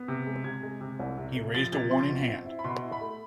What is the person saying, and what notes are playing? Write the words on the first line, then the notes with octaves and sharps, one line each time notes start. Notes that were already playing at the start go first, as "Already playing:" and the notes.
He raised a warning hand.
Already playing: B3
C3
G#3
C3 G#6
G#3
C3
C2
C3
A3
F3 A6
C3 G#6
F3 C6
B2
C4
E4
B5
B2 C6
E4
B5
A3